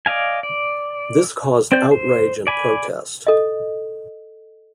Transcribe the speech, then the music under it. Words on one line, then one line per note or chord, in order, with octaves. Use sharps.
This caused outrage and protest.
D5 D#5 F5 G#5
D5
C4 C5 D5 G6
C5
D5 G#5 B5
A4 D#5